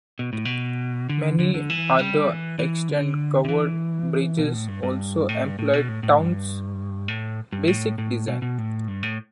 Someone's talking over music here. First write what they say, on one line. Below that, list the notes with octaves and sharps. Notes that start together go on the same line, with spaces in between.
Many other extant covered bridges also employ Town's basic design.
B2
A2
B2
D3
D3
D3
E3
G3
E3
E3
D3
D3
E3
B2
A2
G2
G2
A2
G2
A2
B2
A2
A2
G2
A2
G2
A2
A2
B2
B2
A2
G2
A2